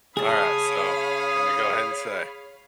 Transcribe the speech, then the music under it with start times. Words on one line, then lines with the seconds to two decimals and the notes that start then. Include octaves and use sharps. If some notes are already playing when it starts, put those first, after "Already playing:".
Alright, so, let me go ahead and say
0.17 C#3 G#4 C#5 F5 A5 B5 D#6